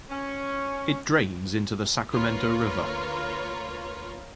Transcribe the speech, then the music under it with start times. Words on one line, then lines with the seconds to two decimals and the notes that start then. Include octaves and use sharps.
It drains into the Sacramento River.
0.10 C#4
2.10 D2 A#3 F4 B4 C#5 A#5